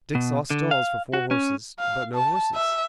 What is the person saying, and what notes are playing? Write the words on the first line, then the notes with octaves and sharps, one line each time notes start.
Dick saw stalls for four horses, but no horses.
B2
D3
F5
F#4
C#4
F5
A5
E5